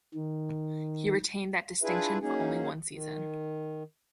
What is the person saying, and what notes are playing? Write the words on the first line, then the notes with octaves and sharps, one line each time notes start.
He retained that distinction for only one season.
D#3
D4 E4 F4 G#4 B4 E5
F#3 A#3 C#4 D#4 G#4
D#3